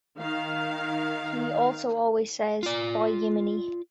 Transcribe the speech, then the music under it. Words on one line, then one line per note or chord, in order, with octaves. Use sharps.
He also always says 'By Yiminy!'.
D#3 F5
F4 D5